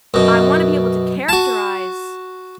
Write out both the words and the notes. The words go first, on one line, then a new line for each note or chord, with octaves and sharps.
I wanna be able to characterize
F#2 B2
F#4 A5